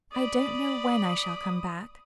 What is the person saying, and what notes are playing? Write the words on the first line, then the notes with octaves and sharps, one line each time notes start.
"I don't know when I shall come back."
D5 B5 D#6